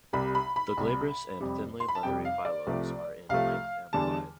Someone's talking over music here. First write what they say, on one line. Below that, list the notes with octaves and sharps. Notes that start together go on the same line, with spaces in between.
The glabrous and thinly leathery phyllodes are in length and wide.
C2 C3 G3 B5
B5
B5
C2 C3 G3
F2 C3 G3
C6
B5
A5
F2 C3 G3 G5
F5
D5
C2 C3 F3 A3
C2 C3 F3 A3 F5
E2 D3 G3 A5